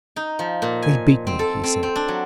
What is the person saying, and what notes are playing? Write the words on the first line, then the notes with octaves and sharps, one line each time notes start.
"They beat me," he said.
D#4
F3
A#2
G#5
C4
A4
C4
C4
D4
F#3